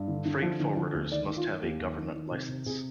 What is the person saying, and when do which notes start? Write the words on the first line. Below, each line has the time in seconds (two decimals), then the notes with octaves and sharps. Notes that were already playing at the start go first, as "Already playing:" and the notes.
Freight forwarders must have a government license.
Already playing: G2
0.08 D3
0.26 D3
0.42 F3
0.60 D3
0.76 F3
0.95 D2
1.12 D#3 D5
1.28 D#3
1.37 F4
1.45 D#3
1.62 D#2 G4
1.79 D#2
1.97 D#3
2.15 D#3
2.31 C3
2.48 C3
2.66 C3 G#4